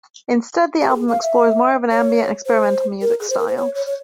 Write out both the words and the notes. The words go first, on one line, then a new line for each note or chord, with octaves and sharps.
Instead, the album explores more of an ambient and experimental music style.
G4
A#4
G#4
F5
E5
C#5
C5
A#4
G#4
C5
A#4
C5
C#5
C#5
C#5